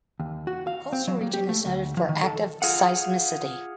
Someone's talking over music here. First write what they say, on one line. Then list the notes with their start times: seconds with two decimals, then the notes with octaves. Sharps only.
The coastal region is noted for active seismicity.
0.19 D#2
0.47 F#4
0.67 F5
0.93 C4
1.08 F#3
1.21 A#3
1.33 G4
1.49 A3
1.66 D2
1.97 F3
2.09 D#3
2.23 A4
2.62 F4 G#4 F5 F#5